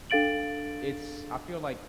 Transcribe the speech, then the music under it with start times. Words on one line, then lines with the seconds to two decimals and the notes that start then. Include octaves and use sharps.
it's I feel like
0.10 D4 A4 F5 A6 D7 F#7